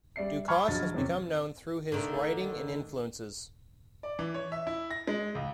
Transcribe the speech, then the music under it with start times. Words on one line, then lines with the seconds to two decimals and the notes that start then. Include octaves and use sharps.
Ducasse has become known through his writing and influences.
0.16 G3 D5 E5 C7
0.48 G#5 A5 B5 C#6 F6 G#6
0.68 A#1 F#3 D#5 A6
0.94 E2 C3 C4 C#4
1.92 D3 D#3 A3
4.03 D5
4.19 E3
4.34 C#5
4.52 E5
4.67 E4
4.91 A#6
5.07 G#3
5.35 C#2